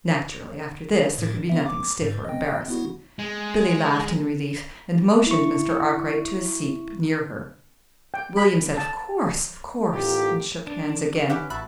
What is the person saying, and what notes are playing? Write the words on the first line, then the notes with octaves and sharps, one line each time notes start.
Naturally, after this, there could be nothing stiff or embarrassing. Billy laughed in relief, and motioned Mr. Arkwright to a seat near her. William said "Of course, of course!" and shook hands again.
A2 D#3
B3 E5
D6
G#2
D#5 G5
B3 E4 F#4
G#3
E4 C#6
G5
B5
A5
A1 A2 D#3 B3 F4 G4
D4
C#4 G4 B4 E5 F#5
A1 F#4 E5 A5 B5 F#6